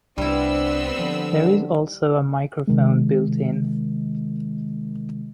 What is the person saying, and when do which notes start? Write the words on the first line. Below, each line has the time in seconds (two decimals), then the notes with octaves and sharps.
There is also a microphone built in.
0.18 C2 G3 B3 C4 D4 E4 E6
0.99 D3 F3
2.67 C3 D#3 G#3